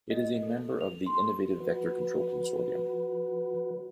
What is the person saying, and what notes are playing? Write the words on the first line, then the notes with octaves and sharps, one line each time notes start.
It is a member of the Innovative Vector Control Consortium.
D#5
A4
F7
C6
F3 F#4 B4